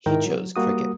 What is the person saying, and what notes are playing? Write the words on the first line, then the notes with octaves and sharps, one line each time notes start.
He chose cricket.
G#2 D#3 E4 A#4 G5
F#3
G3 A#3 F#4 D#6